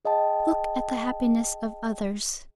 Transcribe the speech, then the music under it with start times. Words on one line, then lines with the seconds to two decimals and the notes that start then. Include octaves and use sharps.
"Look at the happiness of others."
0.05 G#4 D#5 G5 A5